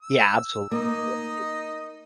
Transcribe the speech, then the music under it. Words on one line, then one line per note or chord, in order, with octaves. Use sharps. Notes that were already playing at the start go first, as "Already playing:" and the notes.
Yeah, absolutely. I think
E6
A#3 D#4 D#5